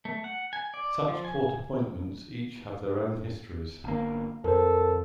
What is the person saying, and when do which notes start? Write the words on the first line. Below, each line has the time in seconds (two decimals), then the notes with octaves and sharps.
Such court appointments each have their own histories.
0.05 A3
0.24 F#5
0.53 G#5
0.74 D5
1.08 F3
1.25 G#5
3.84 G1 A#3
4.44 F2 A4 A#4 C5